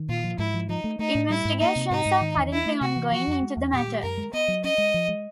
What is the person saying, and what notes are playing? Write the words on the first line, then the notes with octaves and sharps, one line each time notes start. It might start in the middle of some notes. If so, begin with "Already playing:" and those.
Investigations are currently ongoing into the matter.
Already playing: D#3
A#2 F4
F3
G#2 E4
F3
F3 D#4
A3
A3 D#4
A2
G3 E4
G#2
A#3 D#4
C3
G#2 D#4
G#2
D#3
E2
C#4 E4
A3
C3 F#4
E3
F3 F#4
F2
G#3
E2
A#2 G4
G#3
F#2 A#4
G#3
B3 D#5
F#3
C#4 D#5
G#3
F3
G#3